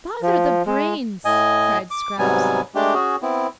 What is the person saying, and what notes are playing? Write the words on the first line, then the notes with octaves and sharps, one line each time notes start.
"Bother the brains!" cried Scraps.
F3
G#3
A2 D#5 G#5
D6
G#2 C3 F#3 G3 B3 G#5
G#3 A3 D4 G4
C#4 F#4 G#4
B3 C4 E4